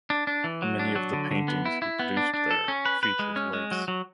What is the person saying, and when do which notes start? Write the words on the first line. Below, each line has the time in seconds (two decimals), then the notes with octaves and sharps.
Many of the paintings he produced there featured lakes.
0.10 D4
0.27 D4
0.44 E3
0.62 F#3
0.79 D4
0.96 F#3
1.13 D3
1.31 D3
1.48 B3
1.65 E4
1.82 E4
1.99 B3
2.17 D4
2.34 D4
2.51 A4
2.68 C#4
2.85 B4
3.03 B4
3.19 G#3
3.36 C#4
3.53 G#3
3.71 F#3
3.88 F#3